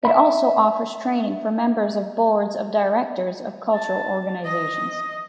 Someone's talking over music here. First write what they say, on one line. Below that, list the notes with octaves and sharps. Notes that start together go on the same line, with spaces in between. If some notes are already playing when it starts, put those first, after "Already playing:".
It also offers training for members of Boards of Directors of cultural organisations.
E5 B5
A5
D#5